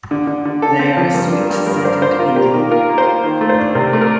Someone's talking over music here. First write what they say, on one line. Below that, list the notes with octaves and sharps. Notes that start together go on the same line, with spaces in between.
They are sweet scented indeed.
D3
D3
D3
D3 A4
C4
F3
G2 A#4
D4
A#4
G2
G2 A#4
D4 C5
D3 C5
F4 A#4
A#3 G4
D#3 A#4
F4 A#4
A#3
C5
F4
D#3
A3
C5
D4
C3 A#4
A3
A#4